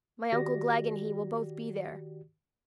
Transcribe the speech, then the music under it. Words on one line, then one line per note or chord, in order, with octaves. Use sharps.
My uncle Glegg and he will both be there.
D#3 F#4 G4 D5 A#6